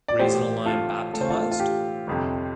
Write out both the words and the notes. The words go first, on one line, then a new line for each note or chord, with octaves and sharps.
Reason alone baptized?
D5
A1 A2 G4 C5
F4 A4
A1 A2 A4
C5
F4 A4
F4
G4
G1 F2 C3